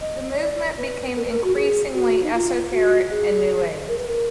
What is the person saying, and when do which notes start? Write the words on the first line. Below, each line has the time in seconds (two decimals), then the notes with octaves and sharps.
The movement became increasingly esoteric and New Age.
0.01 D#5
0.39 D5
0.78 B4
1.16 A#4
1.25 B4
1.31 A#4
1.44 F#4
1.55 G#4
1.94 F#4
2.23 D#4
2.34 F4
2.72 F#4
3.11 G#4
3.88 A#4
3.98 B4
4.08 A#4